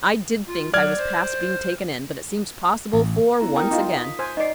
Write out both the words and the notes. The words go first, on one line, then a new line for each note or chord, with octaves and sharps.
I did think I was past being taken in, but it seems possible for once again.
F4
F#3 D5 F6 G#6
C5
A1
B3 E4 A#5
A#4 G5 A#5 D#6
D#4 F4
D#6 B6
C5 G#5
D#4 D5 D#5 C7